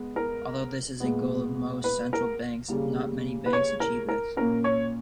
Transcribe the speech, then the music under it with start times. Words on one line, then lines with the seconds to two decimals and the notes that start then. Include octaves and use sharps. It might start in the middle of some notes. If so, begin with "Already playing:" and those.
Although this is a goal of most central banks, not many banks achieve this.
Already playing: G#3 B3
0.16 A#4
1.00 A#2 G#3 B3
1.84 B4
2.13 A#4
2.68 C#3 G3 A#3
3.46 B4
3.53 C#5
3.80 A#4
4.09 A#4
4.37 A#2 A#3 C#4 A#4
4.64 C#5